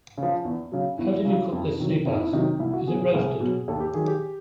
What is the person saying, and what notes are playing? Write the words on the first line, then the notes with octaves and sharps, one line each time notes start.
How did you cook this seabass? Is it roasted?
C#3
F3
E2
C#3 F#3
E2 E4
C#3 F#3
F2
C3 D#3 F#3
F2 D#4
E4
C3 D#3 F#3 D#4
C2 E4
F#4
B2 F#3 G#4
G#4
C2 G#4
B2 F#3
D#2 A4
G4
D#3 F#3 G#4
G4